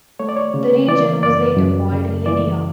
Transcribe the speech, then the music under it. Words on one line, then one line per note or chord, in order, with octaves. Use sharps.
The region was later called Lydia.
A3 C#5
D5
C#5
C#3
E3 D5
F#2 D5
F#2
C#3
E3 D5